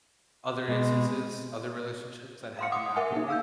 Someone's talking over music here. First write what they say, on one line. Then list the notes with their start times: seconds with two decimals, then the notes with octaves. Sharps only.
other instances, other relationships that happened afterward.
0.68 B2 G#3
2.59 F5 C6 C#7
2.72 F#5 D6 D#6
2.96 A#4 E5 F#5 G#5
3.12 A#3 D#4
3.28 F5 E6 G6